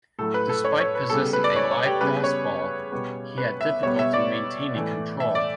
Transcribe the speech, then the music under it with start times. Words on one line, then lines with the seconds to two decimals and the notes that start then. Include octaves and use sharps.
Despite possessing a live fastball, he had difficulty maintaining control.
0.19 A2 F#3 A3 A4
0.34 B4
0.49 A4
0.65 C#5
0.80 C#5
0.95 B4
1.10 C#3 G3 B3 A4
1.33 B4
1.44 D5
1.56 C#5
1.71 C#5
1.86 G4
2.01 C#3 G3 B3 B4
2.24 C#5
2.92 B2 G3 B3
3.38 B4
3.61 E5
3.83 B2 G3 B3 C#5
3.99 E5
4.13 D5
4.74 A2 E3 A3
5.20 E5
5.35 D5